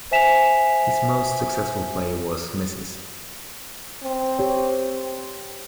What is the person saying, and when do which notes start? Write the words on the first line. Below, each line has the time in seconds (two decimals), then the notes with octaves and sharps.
His most successful play was Mrs.
0.11 C5 E5 G#5 B6 E7 F7
4.03 C4
4.39 G4 C#5